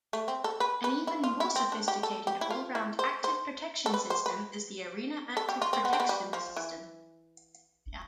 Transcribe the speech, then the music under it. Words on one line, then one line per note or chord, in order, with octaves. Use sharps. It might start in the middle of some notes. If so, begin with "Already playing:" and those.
An even more sophisticated all-round active protection system is the Arena Active Protection System.
A3
C4
A4
B4
B4
E4
F4
E4
C4
D4
G4
A4
G4
E4
F4
E4
C5
C5
A4
B4
C5
B4
A4
G4
F4
C4
B3
C4
B3
G3
F3
E3